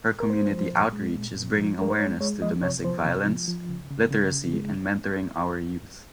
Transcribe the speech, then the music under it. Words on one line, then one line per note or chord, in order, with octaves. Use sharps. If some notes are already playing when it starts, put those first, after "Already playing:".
Her community outreach is bringing awareness to domestic violence, Literacy, and Mentoring Our Youth.
A#4
G#3 C5
F3
A#2
G#3
A#2
A#2
F3
G#3 A#4
C5
G#3 C#5
G#3 C#5
F3 D#5
C3 C#5
F3 C5
C3
F3
F3
C#3
C#3
C#3
C#3
G#3